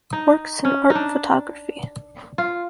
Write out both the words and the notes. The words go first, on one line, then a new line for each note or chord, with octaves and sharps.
Works in art photography.
D#4
C#4
D#4
D4
F4